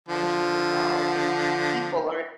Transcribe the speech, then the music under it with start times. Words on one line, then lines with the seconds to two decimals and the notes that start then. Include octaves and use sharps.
promotions involved, and people are
0.09 D3 F3